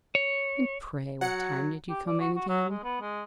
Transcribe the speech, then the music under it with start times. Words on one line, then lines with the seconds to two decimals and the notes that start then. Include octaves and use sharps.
"And pray what time did you come in again?"
0.15 C#5
1.21 F#3 F#5 C#7
1.89 G4
2.07 D5
2.20 F#4
2.36 F#4
2.49 F#3
2.69 G#3
2.83 B3
3.01 G#3